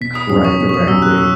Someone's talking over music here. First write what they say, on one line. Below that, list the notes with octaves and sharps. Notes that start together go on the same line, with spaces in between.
Right. Directly.
B2 B6
D#6
F#3 C#4 D#6
C#6
B2
C#6
D#6
F#3 C#4 E6
F#6
E6